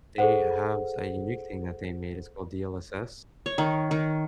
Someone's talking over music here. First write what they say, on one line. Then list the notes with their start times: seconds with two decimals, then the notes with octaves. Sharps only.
they have a unique thing that they made, it's called DLSS,
0.18 G#4 A4 C5 F#5
3.46 C#5
3.58 D#3
3.91 D#3